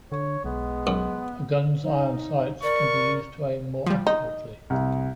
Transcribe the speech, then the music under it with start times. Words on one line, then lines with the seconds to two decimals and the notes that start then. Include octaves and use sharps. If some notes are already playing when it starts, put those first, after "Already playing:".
A gun's iron sights can be used to aim more accurately.
0.12 D3 C#5
0.45 B1 G#3 B3
0.87 F#2
1.83 D#4
2.63 A#4 D5 C#6
3.86 F3 G3
4.07 D#4
4.70 C2